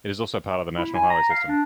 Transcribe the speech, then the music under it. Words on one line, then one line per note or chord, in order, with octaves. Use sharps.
It is also part of the National Highway System.
E4
G#5
A#5
F5
D4